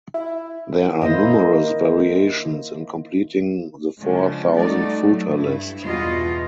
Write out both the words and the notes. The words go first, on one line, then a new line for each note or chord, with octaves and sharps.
There are numerous variations in completing the Four Thousand Footer list.
E4
D#3 A#3 E4 C5 D#5
C#3 F3 G#3 D4
G3 A3 D#4 F#4 D5
F#3 A3
G2 E4
E2 B2 G3 E4 F4 D#5